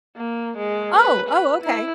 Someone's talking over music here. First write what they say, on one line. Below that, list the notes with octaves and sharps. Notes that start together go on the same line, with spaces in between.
Oh! Oh, okay.
A#3
G#3
B4
B4
E4